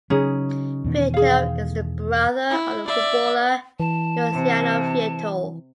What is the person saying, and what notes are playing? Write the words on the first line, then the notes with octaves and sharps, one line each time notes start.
Vietto is the brother of the footballer Luciano Vietto.
C#3 F#3 C#4 D#4 G#4
E2 B2 D#3
G#4 F5
E4
D5 E5
E3 A5
C3